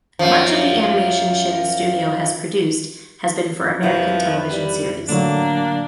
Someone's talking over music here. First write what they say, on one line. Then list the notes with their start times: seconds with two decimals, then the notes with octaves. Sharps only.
Much of the animation Shin's studio has produced has been for American television series.
0.19 F#2 F3
3.83 F2 D#3 F3 E4 B4
4.50 G3
5.08 A2 D3 F#3 A#3 D4